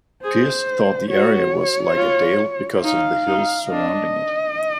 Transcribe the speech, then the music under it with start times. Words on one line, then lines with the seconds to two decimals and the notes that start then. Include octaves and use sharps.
Pierce thought the area was like a dale because of the hills surrounding it.
0.24 G#4 C5
1.10 F#4 C#5
1.97 F4
2.84 D#4 F5
3.27 D#4
3.70 D4 D#5